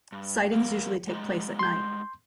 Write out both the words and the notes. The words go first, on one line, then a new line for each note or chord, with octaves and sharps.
Sightings usually take place at night.
G2
F2 A#4 F5
G3 G#3 D#4
C6 G6